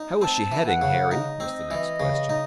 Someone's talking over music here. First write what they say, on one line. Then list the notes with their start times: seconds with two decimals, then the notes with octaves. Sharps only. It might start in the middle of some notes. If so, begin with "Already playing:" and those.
"How is she heading, Harry?" was the next question.
Already playing: D#4
0.22 C4 A5
0.52 E3
0.66 F#5
0.82 C#3
1.11 D#4 D#5
1.40 C4
1.71 E3
2.00 C#3
2.29 D#4